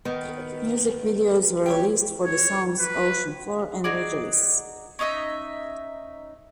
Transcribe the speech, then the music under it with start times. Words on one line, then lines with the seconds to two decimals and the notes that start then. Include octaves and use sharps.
Music videos were released for the songs "Ocean Floor" and "Rejoice".
0.05 D#3 B3
1.66 G4 G#4 C#5
2.25 C#5
2.80 B4
3.84 D#4 F#4 G#4 D5
4.99 C#4 D#4 D#5 E5